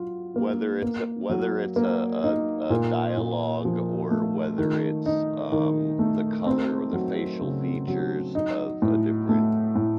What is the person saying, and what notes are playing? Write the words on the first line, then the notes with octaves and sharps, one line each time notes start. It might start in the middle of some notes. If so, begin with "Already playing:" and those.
Whether it's a whether it's a a a dialogue or whether it's, um, the color or the facial features of a different
Already playing: F#3 F4
A#3
A#3
F#3
A#3
D#4
A#2
A#2
F3
A3
D#3
D#4
D#3
A3
C4
F#3
C#3
F#3
D#4
A2
A3
A2